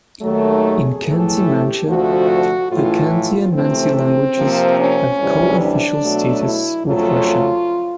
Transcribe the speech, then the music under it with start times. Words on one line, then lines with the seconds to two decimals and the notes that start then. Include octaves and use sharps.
In Khanty-Mansia, the Khanty and Mansi languages have co-official status with Russian.
0.22 D#2 D#3 F#3 A3
0.63 G#4
1.05 A2 E3 A3
1.47 G4
1.88 D2 C3 F3 A3 F#4
2.71 A2 E3 A3 F4
3.12 F4
3.53 C3 E3 A3 C4
3.95 C4
4.36 C3 F3 A#3
4.78 C#4
5.20 D2 C3 E3 G3
5.61 D4
6.02 B2 F#3 A3
6.44 E4
6.85 F2 C#3 F#3 A3 F4